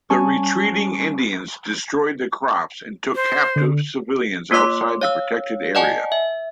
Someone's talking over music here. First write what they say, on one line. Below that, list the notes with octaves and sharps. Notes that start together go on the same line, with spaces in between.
The retreating Indians destroyed the crops and took captive civilians outside the protected area.
G3 C#4 G#5 A5 C#6
C5
D3
A#3 F4 C#5 C6 D6
C#5 F5 E6
D5 D#5 F#5 G#5 A5
E5